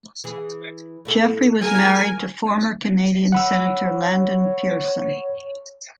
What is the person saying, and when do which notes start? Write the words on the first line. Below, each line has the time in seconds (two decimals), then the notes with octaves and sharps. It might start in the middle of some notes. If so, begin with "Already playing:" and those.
Geoffrey was married to former Canadian Senator Landon Pearson.
0.24 E3 G#4
1.05 A2 E4 A4
1.61 F4 G#4 A#4 G#5
3.32 C#5 F#5 B5 E6